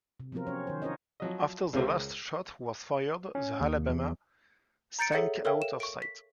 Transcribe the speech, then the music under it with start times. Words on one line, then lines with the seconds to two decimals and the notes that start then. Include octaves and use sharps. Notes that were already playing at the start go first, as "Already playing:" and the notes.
After the last shot was fired the "Alabama" sank out of sight.
0.20 C3
0.32 F3 F#3 B3 C4 F4 A#4
0.47 C#4 C#5
0.67 D#3 C5
0.82 D4 F4 A#4 C5 C#5 D#5
1.20 F3 F#3 D#5
1.73 C#2 C#3 F4 A#4 C5 E5
3.35 C#4
3.60 D#2
3.89 E2
4.99 A#5 G6 A6 C#7 D7
5.12 G#4 A4 C#5 E5 F#5 C#7
5.45 A4 A#4 C#5 E5 F5 G5
5.62 E7
5.80 C#6 D7
6.02 B6